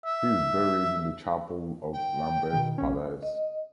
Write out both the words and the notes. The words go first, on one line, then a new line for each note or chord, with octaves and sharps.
He is buried in the chapel of Lambeth Palace.
E5
G5
B2 D#3
B1 C#4
D#5